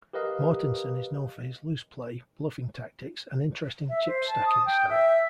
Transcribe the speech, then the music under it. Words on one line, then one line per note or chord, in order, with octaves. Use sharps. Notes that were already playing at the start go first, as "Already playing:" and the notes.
Mortensen is known for his loose play, bluffing tactics, and interesting chip-stacking style.
G4 A#4 B4 D#5 F5
E5
C5
A5
D#6
G5
E5